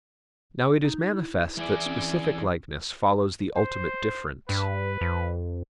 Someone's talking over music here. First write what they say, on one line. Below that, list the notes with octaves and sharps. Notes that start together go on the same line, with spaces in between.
Now it is manifest that specific likeness follows the ultimate difference.
D#4
E4
E3 G#4 D5
C4 C#4
C5
G2 B4
F2